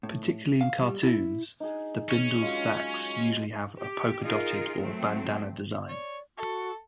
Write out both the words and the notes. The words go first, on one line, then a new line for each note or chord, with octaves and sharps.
Particularly in cartoons, the bindles' sacks usually have a polka-dotted or bandanna design.
A2
F5
G3
E4
D#4 G#4
C#4
F#3 G#3 F4
G4
D#4 F4 G#4 A#4
F#3 A3 C4
C#5 D5
F#4 A4 C#6